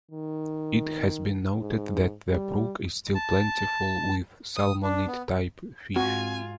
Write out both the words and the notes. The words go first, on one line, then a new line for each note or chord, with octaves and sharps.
It has been noted that the brook is still plentiful with salmonid type fish.
D#3
G#2
G3
A5
D#6
D4
B3
G#2 C4 F4 F#4 G#5